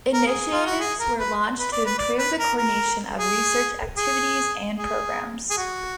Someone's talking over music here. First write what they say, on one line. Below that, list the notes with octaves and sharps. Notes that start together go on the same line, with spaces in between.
Initiatives were launched to improve the coordination of research activities and programmes.
A#4
G#4
F4
F#4
G#4
A#4
B4
B4
D5
B4
D5
B4
A#4
A#4
G#4
G#4
G#4
G#4
F#4